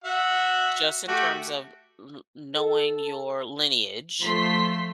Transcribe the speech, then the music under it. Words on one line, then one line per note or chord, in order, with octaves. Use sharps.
just in terms of l knowing your lineage
F#4 E5 F#5
A3 F#4 G4
A4
F3 A3 C6 B6